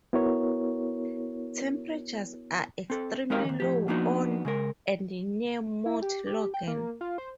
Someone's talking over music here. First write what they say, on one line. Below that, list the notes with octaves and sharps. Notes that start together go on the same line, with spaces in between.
Temperatures are extremely low on and near Mount Logan.
B3 E4 F#4 A#4 C#5
C4 A4
G#3 D#4 G4 A#4 D#5 F5
D#2 E3
A2 F3 G4
F3 A#3 B3 D4 D#4 F#4
C#3 G#3 A#4
E4
G4
G4
G5
A#3
F4
C5